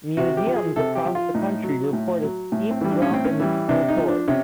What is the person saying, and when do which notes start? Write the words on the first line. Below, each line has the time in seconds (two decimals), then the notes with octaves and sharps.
Museums across the country report a steep drop in school tours.
0.17 C3 F#4
0.37 G4
0.47 F3
0.56 G#4
0.76 C3 A4
0.95 G4
1.05 F3
1.15 F4
1.34 A2 D#4
1.64 F#3
1.93 A2
2.23 F#3
2.52 A2
2.71 C4
2.81 E3 G3
2.91 D4
3.02 C#4
3.11 A2 C4
3.24 C#4
3.40 E3 G3
3.69 C3 D4
3.88 D#4
3.98 F3
4.08 D4
4.28 C3 C#4